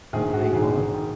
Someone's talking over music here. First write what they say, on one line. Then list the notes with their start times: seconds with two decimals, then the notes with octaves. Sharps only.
What do they call it?
0.13 A#1 G#2 D#3 G#4
0.33 F#4
0.53 A#1 G#2 D#3 G#4
0.93 D#3